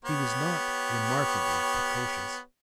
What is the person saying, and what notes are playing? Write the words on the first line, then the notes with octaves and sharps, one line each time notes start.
He was not remarkably precocious.
B3 G4 C#5